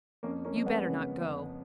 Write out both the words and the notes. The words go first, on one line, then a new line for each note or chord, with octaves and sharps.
You better not go.
F2 A#3 C#4
A#3 C#4
F2 A#3
G#3 B3
C#3
F2